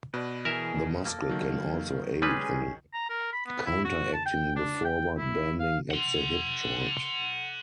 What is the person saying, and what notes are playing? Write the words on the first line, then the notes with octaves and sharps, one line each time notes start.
The muscle can also aid in counteracting the forward bending at the hip joint.
B2 B4 D5
E3 G#4 A#4 E5
A#3 A4 D6
D#3 F#3
G3 G#3 C#4 G#4 B4
A#5
A#4
B5
B3
E4
F#4
A5
G5
D4
G5
E4
F5
F#5 C6